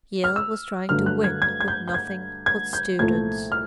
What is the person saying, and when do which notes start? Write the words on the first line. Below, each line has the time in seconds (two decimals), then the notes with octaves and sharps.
Yale was trying to win with nothing but students.
0.24 F6
0.36 E6
0.89 G2 D3 F#3 A3 F6
1.06 F#6
1.24 G#6
1.42 G#6
1.61 G#6
1.68 G6
1.88 G6
1.94 G#6
2.46 G#6
2.73 G6
2.99 C2 A#2 F3 A3 G#6
3.52 F6